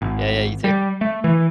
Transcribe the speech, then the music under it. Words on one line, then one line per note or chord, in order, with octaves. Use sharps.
Yeah, yeah, you too.
G#1
G3
A3
E3